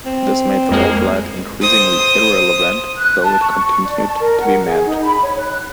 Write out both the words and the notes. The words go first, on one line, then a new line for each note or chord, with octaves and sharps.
This made the old light increasingly irrelevant, though it continued to be manned.
C4
F2 G#3 A#3
C5 D#6
F#6
A5
C#6
D5
A5
A#4
F#5
G#4
D#4
B5
C#5
F#6